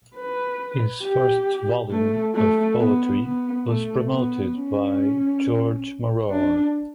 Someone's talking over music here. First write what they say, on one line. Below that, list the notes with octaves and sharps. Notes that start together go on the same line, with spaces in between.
His first own volume of poetry was promoted by Georg Maurer.
B4
G4
A3
A3
B3
B3
A3
B3
C#4
D4